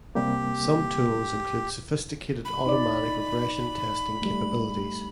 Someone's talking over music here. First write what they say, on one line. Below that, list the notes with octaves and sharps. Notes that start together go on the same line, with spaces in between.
Some tools include sophisticated automatic regression testing capabilities.
C3 G3 A#3 G4
B5
D#4 D5
G3 A3